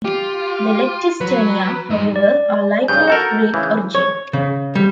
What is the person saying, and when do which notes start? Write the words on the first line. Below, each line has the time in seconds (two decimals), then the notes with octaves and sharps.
The lectisternia, however, are likely of Greek origin.
0.05 F4 G4
1.21 F#3 B4
1.90 G2 D#4
2.16 D5
2.88 G2 C#3 G6
3.08 F#4 A4 A#4
3.54 C#3 E3
3.95 C#5
4.33 C#3
4.75 G3